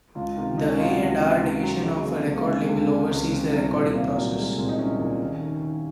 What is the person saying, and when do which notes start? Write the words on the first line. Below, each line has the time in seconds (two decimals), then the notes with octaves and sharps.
The A and R division of a record label oversees the recording process.
0.15 C#2 F4
0.36 C3 D#3 F4
0.57 C#2 D#4
0.68 C#4
0.78 C3 D#3 F4
0.89 F#4
0.99 C#2 C#4
1.20 C3 D#3 C4
1.42 C#2 C4
1.62 C3 D#3 F#3
1.83 C#2 G#3
1.94 F#3
2.05 C#3 A#3
2.15 C4
2.25 C#2 C4
2.36 A#3
2.47 C#3 G#3
2.58 C4
2.68 C#2
2.88 C#3
3.09 C#2 C#4
3.31 C#3 C4
3.52 C2 C4
3.73 A#2
3.94 C2 A#3
4.15 A#2 F#3
4.36 C2 G#3
4.57 A#2 C4
4.69 D#4
4.78 C2 C#4
5.00 A#2
5.20 D#2
5.41 D#3
5.62 D#2